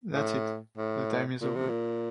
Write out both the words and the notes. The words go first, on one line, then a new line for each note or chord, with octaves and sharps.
That’s it. The time is over.
A2
A2
A#2
C3
A#2